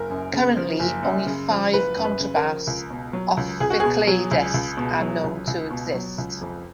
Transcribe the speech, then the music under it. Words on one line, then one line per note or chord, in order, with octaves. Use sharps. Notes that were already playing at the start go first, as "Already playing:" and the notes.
Currently, only five contrabass ophicleides are known to exist.
Already playing: F#1 A#4
F#2
C#3
F3
F#1
F#2
C#3
F3
F#1 B4
F#2
B4
C#3
A#4
F3
C#2
B2
F#3
C#2
C#2 G#4
F#4
B2 G#4
F#3
C#2
C#2
B2
F#3
C#2
C#2
B2
F#3
C#2
F2